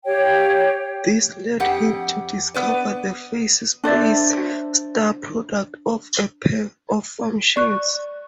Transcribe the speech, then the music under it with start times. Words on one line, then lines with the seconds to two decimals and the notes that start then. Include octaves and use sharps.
This led him to discover the phase-space star-product of a pair of functions.
0.05 G4 C#5 F5 G5
1.60 F2 G4 F#5
2.54 B3 B4 D5
3.84 D4 C5 D5 E5
7.56 D5 C#6 F#6